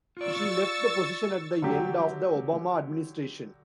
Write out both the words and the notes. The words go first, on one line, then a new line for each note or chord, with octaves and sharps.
She left the position at the end of the Obama administration.
F4 D5 C#6 E6 A6
D3 F#3 G4